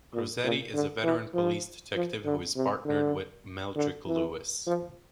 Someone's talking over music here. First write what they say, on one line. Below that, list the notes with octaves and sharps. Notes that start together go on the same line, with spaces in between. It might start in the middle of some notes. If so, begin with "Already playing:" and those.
Crosetti is a veteran police detective who is partnered with Meldrick Lewis.
A#2
A#2
D3
E3
F3
F3
D3
C3
D3
D3
E3
F3